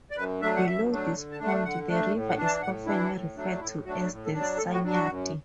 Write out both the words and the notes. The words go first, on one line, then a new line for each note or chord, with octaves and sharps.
Below this point, the river is often referred to as the Sanyati.
D5
F#2 B4
F#3 A3 D4 E5
F#5
F#2 E5
F#3 A3 D4
D3
A5
A3 D4
F#5
D3 F#5
A3 D4
A2
F#5
E3 D4
A5
A2 F#5
E3 D4 E4
A2
F#3 A3 D4
A2 E4
F#3 A3 D4 F#4
A2
A4
F#3 D4
D5
A2 A4
F#4
F#3 D4
F#4
F#2